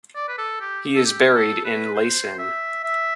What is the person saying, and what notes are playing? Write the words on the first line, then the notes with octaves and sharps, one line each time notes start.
He is buried in Leysin.
D5
B4
A4
G4
A4
G4
A4
B4
C5
E5
E5